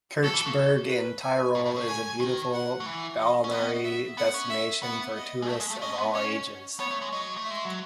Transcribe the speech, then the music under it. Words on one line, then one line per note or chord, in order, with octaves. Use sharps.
Kirchberg in Tirol is a beautiful balneary destination for tourists of all ages.
F#3 A4
E3
C#3
B4
G#5
A2
A2
C#3
G#5
D#3
F#5
F#3
E3
D#5
C#4
B3 D#5
E5
B3 F#5
C#4
E5
B3 F#5
D#5
G#3
A3 E5
G#3
A3
C#4 D#5
A3
B3
C#4 C#5
B3 C#5
A3
G#3
F#3 D#5
A3
E5
G#3
F#3